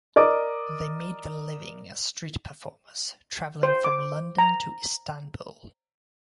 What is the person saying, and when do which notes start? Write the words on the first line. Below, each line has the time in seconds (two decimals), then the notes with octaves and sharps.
They made their living as street performers, traveling from London to Istanbul.
0.16 A#4 D5 D#5 D6
3.63 C5
3.84 D6
4.38 A#5